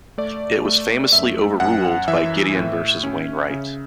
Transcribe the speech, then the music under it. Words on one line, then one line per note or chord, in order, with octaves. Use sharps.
It was famously overruled by "Gideon versus Wainwright".
A3 D5
A3
F#2 E5
F#2 F#5
E3 E5
A2
C#4
C#3